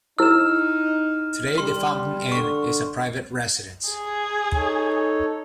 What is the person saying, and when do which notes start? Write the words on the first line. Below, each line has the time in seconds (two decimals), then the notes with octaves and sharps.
Today, the Fountain Inn is a private residence.
0.19 D#4 E4 E6 F6 E7
1.58 G3 C6
2.32 D3 C#6
3.89 G#4
4.55 D#4 A4 C#5